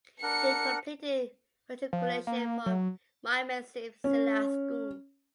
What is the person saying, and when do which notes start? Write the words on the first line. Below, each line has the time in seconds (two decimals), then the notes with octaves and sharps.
He completed matriculation from Mymensingh Zilla School.
0.23 D4 A#4 F#5 C#7
1.93 F3
2.27 A#3
2.66 F#3
4.04 C#4